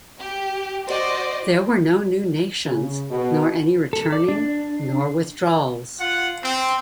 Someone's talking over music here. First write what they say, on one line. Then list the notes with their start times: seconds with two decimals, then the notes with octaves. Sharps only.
There were no new nations, nor any returning, nor withdrawals.
0.19 G4
0.87 F#4 C5 D5 D#5
2.66 C#3
3.10 B2
3.93 A4
4.12 D5
4.28 D4
6.00 F4 F#5
6.44 C4